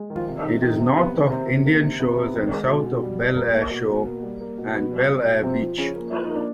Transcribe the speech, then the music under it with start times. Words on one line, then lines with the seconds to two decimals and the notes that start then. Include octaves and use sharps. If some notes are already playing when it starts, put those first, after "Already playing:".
It is north of Indian Shores and south of Belleair Shore and Belleair Beach.
Already playing: G#3
0.10 D#3
0.15 F3 F4
0.28 C3
0.39 D#3 D#4
0.45 C3
0.62 C3 D#3 D#4
0.79 C3
0.96 C3 B3
1.14 D#3
1.30 C3 C4
1.48 C3
1.65 D#3 A#3
1.83 C3
2.00 C3 B3
2.17 C3
2.34 D#3
2.51 G#3
2.68 B2
2.86 B2
3.03 G3
3.19 G3
3.37 A#3
3.55 A#3
3.71 B2
3.89 B2
4.06 A#3
4.23 G3
4.41 A#3
4.58 B2
4.74 B2 B3
4.92 G3
5.10 B2
5.26 B2
5.43 C3 F3 C4
5.61 F3
5.78 C#3 F3 C#4
5.96 A#3
6.12 F3 E4
6.24 D#4
6.30 A#3
6.36 D4